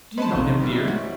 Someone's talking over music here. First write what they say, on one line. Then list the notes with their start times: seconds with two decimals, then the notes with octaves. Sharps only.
"Do you know him, dear?"
0.18 C4 C#4 B4 C5 D#5 A5 C6
0.31 A#1 E3 F#3 B3 C4 D#4 F4 A4
0.49 D#3
0.61 F#2 E3 G3
0.88 C#4 F#4 C5